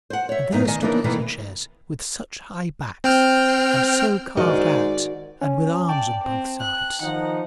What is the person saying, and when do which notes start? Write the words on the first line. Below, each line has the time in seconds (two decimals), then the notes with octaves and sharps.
And there stood easy-chairs, with such high backs, and so carved out, and with arms on both sides.
0.10 C5 F#5
0.29 C#5 E5
0.52 F#2 A2 D#3 B3 D#4
0.68 D#3 D#5 G#5
0.81 C#3 E3 A#3 D4 D#4 A#4
1.04 B2 D#3 E3 A3 A#3 E4
3.04 C4 G5 F6
4.37 G#2 D#3 F#4 D5 D#5
5.41 C#4
5.89 D5 G5 A5
6.23 C4
6.61 F#6
7.01 D#3 F3 D#4 F#5